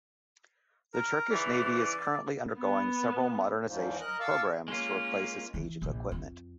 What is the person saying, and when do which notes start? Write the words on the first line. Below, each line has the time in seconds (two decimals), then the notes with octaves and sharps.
The Turkish Navy is currently undergoing several modernisation programmes to replace its ageing equipment.
0.93 A#4
1.30 G#2 C#3 E3 D5
2.60 B3
3.67 E2 G#2 F3
4.00 A#4 D#5 F#6
4.20 F5 A5 C#6 D6 E6
4.68 G#3 A#3 C#4 F4
5.54 E3
5.82 A#1
6.12 F2